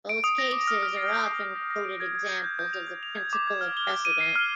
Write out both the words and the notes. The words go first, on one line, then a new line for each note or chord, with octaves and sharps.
Both cases are often quoted examples of the principle of precedent.
D7
D#6
A#6
D6
F6
F6
C7
G6
C7
F6
A#6
A#6
D7
G#6
G#6
G6
G6
G6
F7
G6
F7
G#6
D6
G#6
F6
G7
F6
D#7
C7
F6